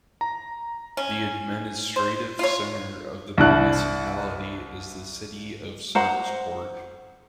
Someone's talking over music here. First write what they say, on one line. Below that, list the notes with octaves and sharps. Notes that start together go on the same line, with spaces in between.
The administrative centre of the municipality is the city of Sarpsborg.
A#5
C#4
C5
F4 C#5
C2 D4 E4 F#6
C5 F#5 A#5